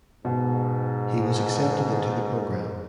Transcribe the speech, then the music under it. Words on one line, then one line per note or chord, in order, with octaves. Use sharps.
He was accepted into the program.
G#2 B2